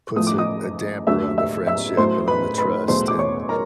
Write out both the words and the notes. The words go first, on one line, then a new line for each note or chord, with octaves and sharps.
puts a a damper on the friendship and on the trust, and
A2 F3 A3 D#6
D6
D#5 D#6
D#2 D3 F#3 A3 E5 E6
E5 E6
E5 E6
A2 F#3 A3 C5 C6
B4 B5
B4 B5
E2 B2 F#3 A3 C5 C6
D6
C#5 C#6
A#4 A#5